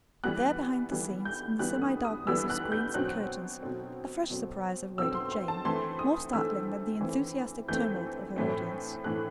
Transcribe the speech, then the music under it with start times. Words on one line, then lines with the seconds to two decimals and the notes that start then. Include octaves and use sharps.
But there, behind the scenes, in the semi-darkness of screens and curtains, a fresh surprise awaited Jane, more startling than the enthusiastic tumult of her audience.
0.24 E3 G3 B3 F#6
0.92 E3 G3 B3
1.25 G6
1.59 E3 G3 B3 F#6
1.82 D#6
2.05 D#6
2.27 E3 G3 B3 E6
2.50 F#6
2.72 G6
2.94 B2 F#3 C4 F#6
3.63 B2 F#3 C4
4.30 B2 F#3 C4
4.98 B2 F#3 C4 E6
5.15 C6
5.32 C6
5.48 A5
5.65 E3 A3 C4 C6
5.99 D#6
6.33 E3 A3 C4 E6
7.01 E3 A3 C4
7.68 E3 A3 C4 G6
8.36 A2 E3 A3 C4
9.04 A2 E3 A3 C4 F#6